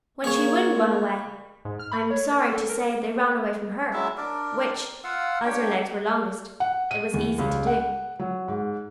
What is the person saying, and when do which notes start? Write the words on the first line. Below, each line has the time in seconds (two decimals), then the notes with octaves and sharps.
When she wouldn't run away, I am sorry to say they ran away from her, which, as their legs were longest, it was easy to do.
0.24 A#3 G#4 C#5
1.65 G#2
1.79 F6
1.92 B5
2.11 C#5
2.31 A#4
2.49 A4
2.69 A#4
3.93 F#3 G#3 E4 E5
4.17 D4 A#4 D5
5.04 F4 F5 F#5 E6
5.45 D4 G4 C#5 G5
6.60 F#5
6.91 D#7
7.14 E2
7.38 C#2
7.67 F#5
8.19 F#3
8.48 G#2